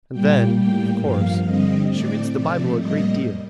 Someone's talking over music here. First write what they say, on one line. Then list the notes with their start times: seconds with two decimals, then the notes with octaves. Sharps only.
And then, of course, she reads the Bible a great deal.
0.11 A#2 G3 A#3 G5
0.56 A2 G3 A#3 G5
1.00 G2 F3 A#3 F5
1.45 D3 G3 C4 D#5
1.89 A2 A3 C4 D5
2.34 C3 F3 A3 D5
2.78 A2 G3 A#3 D#5